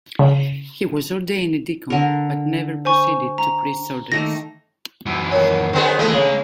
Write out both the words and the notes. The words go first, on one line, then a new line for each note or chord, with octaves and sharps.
He was ordained a deacon but never proceeded to priest's orders.
C#3
D3 A#4
C5 G#5 C#6
A#5
D#3 A3 A#3 A#6
F#2 E3
D#3 F#3
D3 B3 G#4 C5 C6
D#2 E3 G#3 A3 F4 A4
C#3 A3 F5